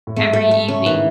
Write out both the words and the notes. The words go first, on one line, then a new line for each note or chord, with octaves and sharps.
every evening.
A2
G#2 A3
A3
A3
C#3 C#4
D#3 E3